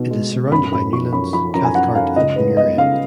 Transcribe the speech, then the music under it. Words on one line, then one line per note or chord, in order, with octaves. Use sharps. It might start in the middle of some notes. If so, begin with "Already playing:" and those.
It is surrounded by Newlands, Cathcart and Muirend.
Already playing: B2 D#4
G#3
B2
F#2 B5
F#2 B5
F3 C#6
F#2 B5
F3 B5
F#2 A#5
G#5
F#2 F#5
F#2 F5
C#2 D#5
G#3 B4
B3 D#5
C#3 F5